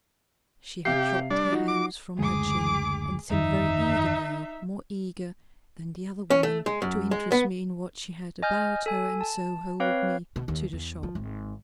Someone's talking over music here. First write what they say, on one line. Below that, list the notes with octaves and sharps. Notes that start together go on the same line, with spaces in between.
She had dropped her hands from her chin and seemed very eager now, more eager than the other woman, to interest me in what she had about her and so hold me to the shop.
C3 G4 F5 C7
G3 D4
F3 D#4 F#4
D6
F#1 D2 G#3 G#4 D6
G1 F2 D#3 D#4 E5
C#4
A3
G#3
F#2
G#3
B3
D#5 G#5 F6 G6
A4 G#5
A5
C4 B4 C#5 F5
B2
D#2
E2
F3
G#1